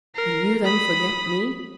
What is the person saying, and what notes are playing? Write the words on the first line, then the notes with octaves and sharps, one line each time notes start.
"Will you then forget me?"
A#4 C7
B5 D#6